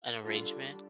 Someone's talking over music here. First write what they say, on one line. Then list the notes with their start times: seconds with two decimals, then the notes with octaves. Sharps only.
an arrangement?
0.24 D3 G3 D4 F4 A4